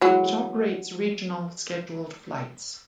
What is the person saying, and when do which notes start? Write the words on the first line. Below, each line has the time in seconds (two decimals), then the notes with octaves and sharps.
It operates regional scheduled flights.
0.01 E3 F#3 G#3